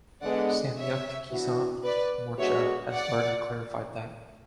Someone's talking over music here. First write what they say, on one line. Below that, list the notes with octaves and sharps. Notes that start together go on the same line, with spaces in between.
Samyukt Kisan Morcha has already clarified that.
D3 G#3 B3 D5 F#5
C#5 E5
E3 B3 D4 F#4
B4 D5
D3 G#3 B3 F#4 C#5 E5
D5 F#5